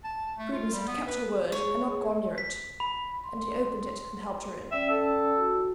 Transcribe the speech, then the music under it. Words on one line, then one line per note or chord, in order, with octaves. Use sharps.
Prudence had kept her word, and not gone near it; and he opened it, and helped her in.
A5
A3
F4
G3
B3
B4
G#3 C#5
B6
B5
C6
C#4 D5 E5 G5
A4
E4 F#4